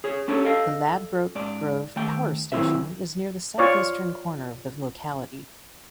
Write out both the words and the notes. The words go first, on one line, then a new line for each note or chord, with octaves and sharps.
The Ladbroke Grove Power Station is near the southeastern corner of the locality.
G#4 C#5
C#4 D4 G4 A4 C#5
A4 D#5 F5
G#2 D5
D#3 A3 G5
D#3 F#3 C4 E4 B4 E5
F4 C#5 D5